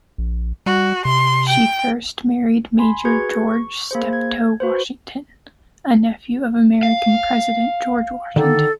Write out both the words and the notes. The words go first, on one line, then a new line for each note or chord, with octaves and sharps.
She first married Major George Steptoe Washington, a nephew of American President George Washington.
A#1
G3 F#4
C3 C6
G5
G#5 B5 C6
F#4 G#4 B4 G6 G#6 C#7
C#6
A#3 G#4 C5
G#6
F#4 B4 C5
F5
D3 D#3 A4 D5